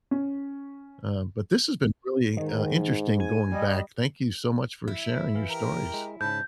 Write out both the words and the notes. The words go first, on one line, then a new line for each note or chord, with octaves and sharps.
uh, but this has been really, uh, interesting going back, thank you so much for sharing your stories.
C#4
G#2 D#3
G#5
G3 D#5
E4
E3 F5
G4 A#4
G#3
G#2 C#3 A5 B5 G6